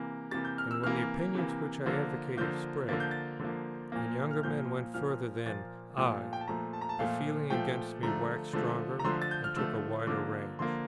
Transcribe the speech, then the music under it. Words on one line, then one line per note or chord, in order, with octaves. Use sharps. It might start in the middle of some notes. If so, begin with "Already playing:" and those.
And when the opinions which I advocated spread, and younger men went further than I, the feeling against me waxed stronger and took a wider range.
Already playing: C3 E3 A#3
C3 E3 A#3 A6
G6
F6
E6
C3 E3 A#3 F6
C3 E3 A#3
D3 F3 A#3
D3 F3 A#3 G6
D3 F3 A#3 A6
G6
A6
D3 F3 A#3
A#2 F3 A#3
F6
A#2 F3 A#3 G6
A#2 F3 A#3 F6
A#2 F3 A#3 A6
A#2 F3 A3
G5
A5
A#2 F3 A3 A#5
A5
A#5
A5
A#2 F3 A3 F5
A#2 F3 A3 G5
D3 F3 A3 A#5
D3 F3 A3
A#5
D3 F3 A3 C6
A6
G6
F6
D3 F3 A3 E6
D3 F3 A#3 D6
D3 F3 A#3 C6